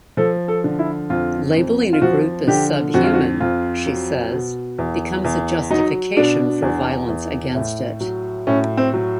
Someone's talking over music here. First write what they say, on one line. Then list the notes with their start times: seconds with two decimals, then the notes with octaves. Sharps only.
Labeling a group as subhuman, she says, becomes a justification for violence against it.
0.17 F3 A4
0.48 A4
0.64 D3
0.79 E4
1.10 F2 F4
1.56 F2
1.93 F4
2.02 F3 F#4
2.47 D3 G4
2.94 F2 F#4
3.04 F4
3.14 F#4
3.40 F2 F4
3.86 F#3
4.32 B2
4.78 E2
5.24 E2
5.70 F#3 D#4
6.17 B2 D4
6.62 E2
7.09 E2
7.55 A2
8.01 F#3
8.47 A2 C#4
8.77 C4
8.94 F#3